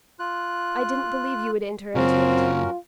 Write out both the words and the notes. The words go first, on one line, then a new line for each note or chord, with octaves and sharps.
I didn't believe you would enter into it.
F4 F#6
F#2 C#3 C4 C#4 F4 F#4 A#4